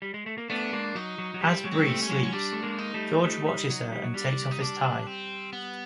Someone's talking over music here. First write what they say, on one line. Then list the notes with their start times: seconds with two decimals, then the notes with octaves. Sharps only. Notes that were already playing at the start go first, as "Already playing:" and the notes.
As Bree sleeps, George watches her and takes off his tie.
0.02 G3
0.14 G#3
0.26 A3
0.38 A#3
0.50 A3 B3 D4
0.73 G#3 A#3
0.95 F#3 D#4
1.18 F#3
1.34 F#3
1.41 G3 C4
1.64 F#3 G#3
1.72 C4
1.87 G3 A3
2.02 C#4
2.09 F#3 G#3
2.23 C#4
2.32 G3 D4
2.53 A3
2.63 G#3 A#3
2.78 D#4
2.94 G3 A3
3.24 G3 A3
3.46 G3
3.70 F#3
3.92 G3
4.04 F#3
4.14 G3 D4
4.51 D#4
4.61 D4
5.07 C4
5.53 B3